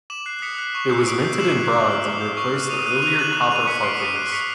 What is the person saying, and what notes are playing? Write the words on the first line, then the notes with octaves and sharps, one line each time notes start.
It was minted in bronze, and replaced the earlier copper farthings.
D6 E7 F#7
F#6 C7
D#6 B6 C#7
F#6
C#6
E6 G6 C7
C#7
D#6 C7 D7
G6
D6 E7 F#7
F#6
D6
F6
D#6
G6
C#6
F6
D#6 D#7 F7
F#6 D#7 F7
D6 D#7 F7
F#6 E7 F#7
D6 E7 F#7
F#6 D#7 F7
D6 B6 C#7
F6 C7 D7
D#6 C#7 D#7
F#6
C#6 B6 C#7